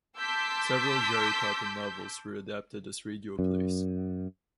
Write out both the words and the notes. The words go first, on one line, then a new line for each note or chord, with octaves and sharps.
Several Jerry Cotton novels were adapted as radio plays.
A5 C6 D6 E6 G6 B6
F#2